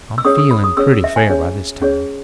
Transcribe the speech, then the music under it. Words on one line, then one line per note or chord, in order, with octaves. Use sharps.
"I'm feeling pretty fair by this time."
E6
C#4 G#4 C#5 D#6
D#6
B5
D#6
C#4 G#4 C#5 E6
E5
G#5
C#4 G#4 C#5
C#4 G#4 C#5